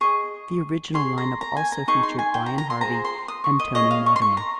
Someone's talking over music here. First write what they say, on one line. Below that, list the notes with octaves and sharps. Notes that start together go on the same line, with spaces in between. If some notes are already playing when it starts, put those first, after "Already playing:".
The original line-up also featured Brian Harvey and Tony Mortimer.
G#4 D#5 C#6
G#4 C#5 C6
A#5
A#5
G#5
A#5
D#4 G#4 C#6
C6
G#5
G5
A#5
A#5
C6
F4 G#4 C5 A#5
C6
D#6
C#6
D#5
G#4 C#5 D#5
F5
C#6
C6
C#6
A#5